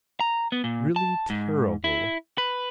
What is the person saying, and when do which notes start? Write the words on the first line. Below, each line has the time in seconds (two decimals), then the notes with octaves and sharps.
Really terrible.
0.21 A#5
0.52 B3
0.64 A#2
0.96 A5
1.30 G#2
1.84 E4
2.38 B4